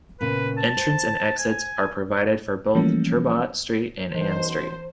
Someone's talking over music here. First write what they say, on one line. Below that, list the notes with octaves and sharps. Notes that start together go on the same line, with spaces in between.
Entrance and exits are provided for both Turbot Street and Ann Street.
A#2 C#3 B3 B4
A5
C5
G#5
E3 F3 G3 A3 A#3 C#4
F#2 B2 E3 D#4 C5